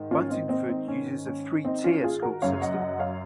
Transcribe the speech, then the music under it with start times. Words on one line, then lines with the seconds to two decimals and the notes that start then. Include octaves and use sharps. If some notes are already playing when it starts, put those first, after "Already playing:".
Buntingford uses a three-tier school system.
Already playing: G#2 D#3
0.11 C#4 F4
0.30 C4 D#4
0.49 C4 D#4
0.69 C4 D#4
0.88 C#4
1.26 C#4
1.65 C4 D#4
1.84 C#4 F4
2.04 F4 G#4
2.22 F#4 A#4
2.42 F#2 C#3 C#5 F5
2.62 D#5 F#5
2.80 D#5 F#5
2.99 C#5 F5